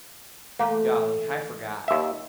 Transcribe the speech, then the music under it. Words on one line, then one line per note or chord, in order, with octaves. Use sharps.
Golly, I forgot.
E2 A3 A#3
D#2 E5